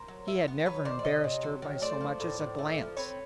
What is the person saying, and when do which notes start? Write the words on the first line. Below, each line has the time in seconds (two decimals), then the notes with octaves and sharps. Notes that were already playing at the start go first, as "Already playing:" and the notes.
He had never embarrassed her by so much as a glance.
Already playing: A#4 C5
0.08 F#3
0.28 E4
0.48 B3
0.66 F#3 B4 C#5
0.85 D#3 C5 D5
0.99 D5
1.05 C3 C#5 D#5
1.24 C3
1.43 F#3
1.62 D#3
1.82 A3 C5 D5
2.01 F3
2.20 A2
2.39 A2
2.58 A3
2.78 F3
2.97 C4 B4 C#5